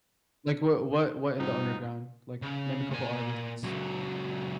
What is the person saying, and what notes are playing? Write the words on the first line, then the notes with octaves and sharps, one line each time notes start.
Like, what what what in the underground? Like, name a couple artists.
F2 G#2 F3 G3 D#4 F4 F#4
C#3
A#2 G#5
C#2 F#3